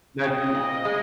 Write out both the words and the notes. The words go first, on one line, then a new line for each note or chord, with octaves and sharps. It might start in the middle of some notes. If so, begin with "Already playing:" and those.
Now, do you
C4 D#5
A#2
G#3